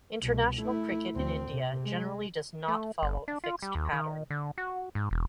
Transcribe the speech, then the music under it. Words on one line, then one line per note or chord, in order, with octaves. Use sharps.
International cricket in India generally does not follow a fixed pattern.
C2 B2
A3 E4
D2 C4
C3
G#3
A3
G1
D4
F4
G3
D#2
D#3
D3
F#4
G#2
E1